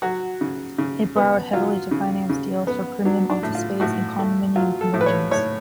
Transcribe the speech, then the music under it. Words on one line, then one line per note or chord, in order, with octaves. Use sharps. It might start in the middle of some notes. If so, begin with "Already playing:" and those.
It borrowed heavily to finance deals for premium office space and condominium conversions.
F#3 F#4
C#3
C#3
B3
F#3 F4
C#3
C#3
B3
F#3 D4
D4
A2
F4
A2 F#4
A3
F#3 F4
A4
A2
B4
C#5
A2 C#5